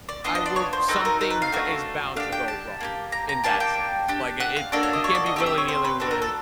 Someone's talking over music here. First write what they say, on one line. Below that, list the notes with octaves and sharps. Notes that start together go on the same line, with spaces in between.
"I will" Something b is bound to go wrong in that sense, like, it it you can't be willy-nilly with
D5
B3 D4 F4 D#5
D#5
D5
C#5
C5
C4 D#4 F#4 A4 B4
A#4
A#4
B4
F5
A3 D4 F#4 A4
D4 G4 F5
G5
A5
A#3 D#4 G4
A#5
A#5
A#3 D4 G4 A5
G5
D4 G4
F#5
F5
A#3 D4 F#4 A4 D5
C#5
D#5
C#5
D5
D#5
C4 D#4 G4 E5
E5
C#5
C5
B4
D4 F#4 A4 B4
A#4
A4